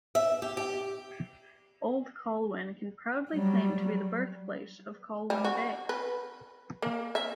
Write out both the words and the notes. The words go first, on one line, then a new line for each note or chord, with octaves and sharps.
Old Colwyn can proudly claim to be the birthplace of Colwyn Bay.
E5
G4
G4
F#3 G3
G3
F#4
B4
A#3
E5